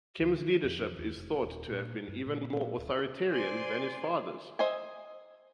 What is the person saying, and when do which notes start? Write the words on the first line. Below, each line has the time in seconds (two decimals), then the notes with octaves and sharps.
Kim's leadership is thought to have been even more authoritarian than his father's.
0.21 D2
0.39 D#3
0.64 F2
0.99 E2
1.16 F1
1.42 D#1
1.71 A#2
2.08 G2
2.26 A#2
2.78 D1
3.28 C5 D5 G#5 C6
4.59 C5 D#5 E5 G#5